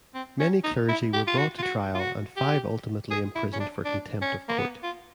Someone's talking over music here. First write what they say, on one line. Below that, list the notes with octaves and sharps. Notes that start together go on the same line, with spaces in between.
Many clergy were brought to trial and five ultimately imprisoned for contempt of court.
C4
C#4
D#4
E4
G4
F4
F#4
F4
F#4
F4
F#4
G4
G#4
E4
C#4
D4
D4
C#4
A#3
B3
F4